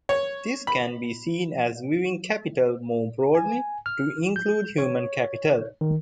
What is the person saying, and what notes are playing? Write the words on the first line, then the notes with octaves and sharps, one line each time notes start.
This can be seen as viewing "capital" more broadly, to include human capital.
C#5
B5
G#5
F6
G6
C#5
D#3